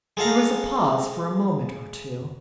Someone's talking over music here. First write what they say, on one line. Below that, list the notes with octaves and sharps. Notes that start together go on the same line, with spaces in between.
There was a pause for a moment or two.
G#3 A4 F5 A#5